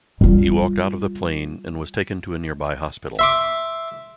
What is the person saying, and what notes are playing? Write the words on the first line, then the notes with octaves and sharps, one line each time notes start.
He walked out of the plane and was taken to a nearby hospital.
G3 F4
E5 C6 D6